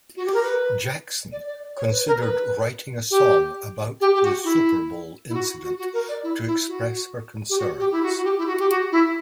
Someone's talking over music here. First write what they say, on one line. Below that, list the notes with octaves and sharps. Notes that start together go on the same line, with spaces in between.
Jackson considered writing a song about the Super Bowl incident to express her concerns.
F#4
G4
A#4
B4
D5
D5
D5
C#5
B4
A#4
B4
G4
G4
G4
F#4
E4
E4
F#4
F#4
F#4
A#4
D5
E4
E4
F#4
G4
F#4
G4
E4
F#4
F#4
G4
E4
F#4
G4
F#4
E4